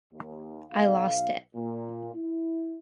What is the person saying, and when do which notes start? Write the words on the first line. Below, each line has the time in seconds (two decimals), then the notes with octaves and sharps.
I lost it.
0.13 D#2
0.71 B1 F5
1.55 A#2
2.15 E4